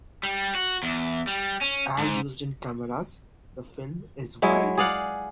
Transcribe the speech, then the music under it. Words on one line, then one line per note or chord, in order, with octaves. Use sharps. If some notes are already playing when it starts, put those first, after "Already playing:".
As used in cameras, the film is wide.
G3
F#4
E2
G3
C#4
G#2
F#3 G#3 E4
G#4 D5 F5 F#5